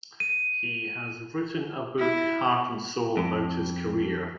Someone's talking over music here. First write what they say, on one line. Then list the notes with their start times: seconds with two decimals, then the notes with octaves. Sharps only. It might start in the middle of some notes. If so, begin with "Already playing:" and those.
He has written a book, "Heart and Soul", about his career.
0.20 D#7
1.98 E4
3.17 F2